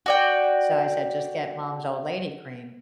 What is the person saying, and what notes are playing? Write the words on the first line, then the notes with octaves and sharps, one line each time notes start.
So, I said, "Just get mom's old lady cream,"
F#4 D5 G5